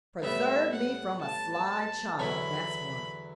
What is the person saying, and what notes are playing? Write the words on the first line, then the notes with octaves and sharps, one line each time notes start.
Preserve me from a sly child, that's what.
A2 G3 B3 E5
F#5
A5
E2 D3 F#3 C#4 E4 B5